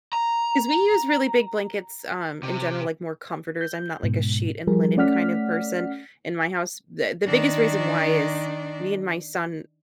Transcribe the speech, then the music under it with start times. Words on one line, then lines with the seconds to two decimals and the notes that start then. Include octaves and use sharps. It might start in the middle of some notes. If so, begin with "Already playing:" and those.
'Cause we use really big blankets, um, in general, like, more comforters, I'm not like a sheet and linen kind of person in my house, the the biggest reason why is me and my son
0.13 A#5
2.43 C3
3.61 G6
4.03 G#2 B2
4.67 F3 G3 G#4 A#4
4.97 A3 C#4 D5 F#5 F6 B6
7.26 D#3 D4